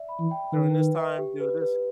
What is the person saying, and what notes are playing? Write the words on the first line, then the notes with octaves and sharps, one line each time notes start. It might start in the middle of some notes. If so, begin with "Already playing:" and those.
during this time, do this"
Already playing: D5 E5
B5
E3
G5
D#3 B4
B4
E5
G4
B4
B4